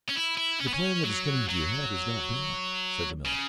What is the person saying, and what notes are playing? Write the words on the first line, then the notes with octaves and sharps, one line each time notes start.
"The plan that has come into your head is not bad," said the miller.
C#4
E4
E4
C#4
B3
C#4
F#3
F#3
C#3